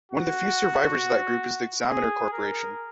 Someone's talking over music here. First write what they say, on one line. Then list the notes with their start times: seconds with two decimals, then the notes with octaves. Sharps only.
One of the few survivors of that group is The Examiner Corporation.
0.11 F#4
1.89 G#4
2.32 A#4